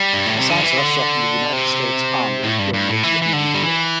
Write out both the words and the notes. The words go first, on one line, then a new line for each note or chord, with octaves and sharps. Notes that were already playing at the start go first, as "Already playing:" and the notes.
Sulzer served in the United States Army during the Vietnam War.
Already playing: G3
G2
A2
C3
D3
E3
D3
C3
A2
G2
G2
A2
E3
E3
D3
G3
E3